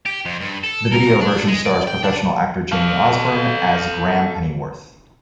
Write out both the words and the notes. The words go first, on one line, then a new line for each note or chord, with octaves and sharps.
The video version stars professional actor Jamie Osborn as Graham Pennyworth.
G4
F2
G2
A4
A#4
D4
G#3
D5
G5
D4
A4 F5